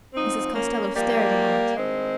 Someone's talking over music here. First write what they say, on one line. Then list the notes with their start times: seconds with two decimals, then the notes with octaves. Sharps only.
Mrs. Costello stared a moment.
0.14 G#2 F3 C4 D#4
0.54 A#3 C#4
0.94 G#2 F3 G3 A#3
1.75 G2 D#3 G#3 C4